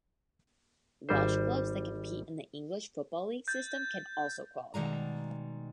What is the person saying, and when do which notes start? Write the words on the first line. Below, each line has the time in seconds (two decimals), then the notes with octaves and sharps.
Welsh clubs that compete in the English football league system can also qualify.
1.09 G#1 G3 C5
3.48 G6 A6
4.74 B2 D#3 G3 G#3 A#5